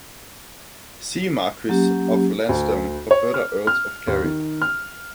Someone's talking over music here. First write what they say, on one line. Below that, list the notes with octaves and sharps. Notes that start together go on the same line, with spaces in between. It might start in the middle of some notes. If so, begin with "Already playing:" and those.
"See Marquess of Lansdowne for further Earls of Kerry".
F#3 A#3 C#4 G4
D2
C#5
F6
F6
D#2
D#3
F6